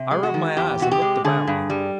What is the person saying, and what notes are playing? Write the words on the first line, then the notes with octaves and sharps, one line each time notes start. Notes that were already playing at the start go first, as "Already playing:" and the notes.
I rubbed my eyes and looked about me.
Already playing: C3
G#3
F#4
D#3
E2 G4
C3 F#4
G4
G#3
D3 G#4
G2
G3